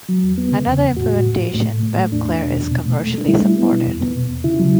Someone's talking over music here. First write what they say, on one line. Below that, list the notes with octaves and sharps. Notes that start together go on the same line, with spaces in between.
Another implementation, WebClaire, is commercially supported.
F#3
E2
B3
C#3
E2
E2
A2 F#4
A2
A2
A2
A3
A2
A2
A3
E2 D4
E2
B2
E2
B2
A3
A3
A3 D4
G3 E4
G3
B3
B2
E2
B3
B2
E2
C#3 E4
F#3